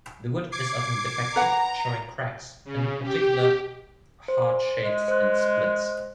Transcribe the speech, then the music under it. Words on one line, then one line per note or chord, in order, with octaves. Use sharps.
The wood is often defective, showing cracks, and in particular heart shakes and splits.
D6 G#6 C7
B4 F#5 A#5
C#3
G4
C5
G#3
C5 F#6